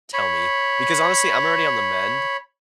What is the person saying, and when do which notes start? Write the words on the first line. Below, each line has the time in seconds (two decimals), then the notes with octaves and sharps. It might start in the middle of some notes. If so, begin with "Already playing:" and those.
tell me. Because, honestly, I'm already on the mend.
0.13 C#5 B5